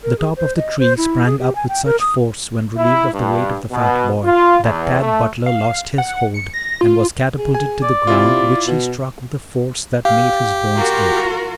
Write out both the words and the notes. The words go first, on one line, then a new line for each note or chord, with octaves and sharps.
The top of the tree sprang up with such force, when relieved of the weight of the fat boy, that Tad Butler lost his hold and was catapulted to the ground, which he struck with a force that made his bones ache.
A#4
G#4
C5
D#5
C5
E4
G#4
G4
G#5
G5
A#4
D#6
E4
G2
B2
F4
E2
A3
F5
F#5
C#7
A#6
F4
G#4
G#5
D5
C3 E4 F4
B2
G4 F5
F4 F#4 A#4